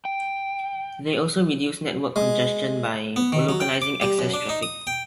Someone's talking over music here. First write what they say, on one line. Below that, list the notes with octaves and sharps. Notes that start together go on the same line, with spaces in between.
They also reduce network congestion by localizing access traffic.
G5
G#3
B3
D#3
F#3
G5
D6
G3
F#2
D4
D#4
D#6
G5